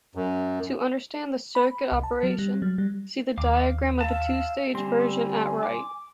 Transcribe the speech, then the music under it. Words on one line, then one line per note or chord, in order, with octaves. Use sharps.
To understand the circuit operation, see the diagram of the two-stage version at right.
F#2
B5
C2
A5
F#3
G3
F#3
G3
D#2 F5 D6
E5 F5 A5
D3 G3 C4 G#5 C6
D6